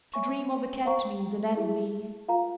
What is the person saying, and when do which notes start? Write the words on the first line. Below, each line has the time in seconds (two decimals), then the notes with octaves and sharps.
To dream of a cat means an enemy.
0.14 C#5 E5 G#5 C#6
0.85 C5 F5 A#5 C#6
1.57 E4 G#4 E5
2.28 F4 A#4 F5 A#5